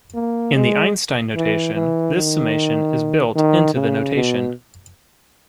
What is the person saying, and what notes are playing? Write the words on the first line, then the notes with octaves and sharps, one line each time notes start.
In the Einstein notation this summation is built into the notation.
A#3
G#3
E3
E3
D#3
D#3
C#3
B2